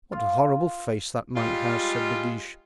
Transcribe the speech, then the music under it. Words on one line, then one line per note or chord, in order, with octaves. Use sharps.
"What a horrible face that monk has," said De Guiche.
F4
G3 G#3 F4